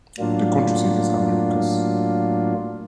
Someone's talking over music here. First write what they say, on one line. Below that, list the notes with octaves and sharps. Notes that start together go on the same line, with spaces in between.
The county seat is Americus.
A2 F#3 A#3 D4 F4